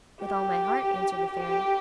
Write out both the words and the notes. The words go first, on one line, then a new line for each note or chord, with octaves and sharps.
"With all my heart," answered the Fairy.
G4
G4